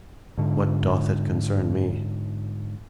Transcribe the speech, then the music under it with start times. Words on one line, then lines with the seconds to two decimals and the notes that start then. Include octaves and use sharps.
What doth it concern me?
0.38 G#2 D3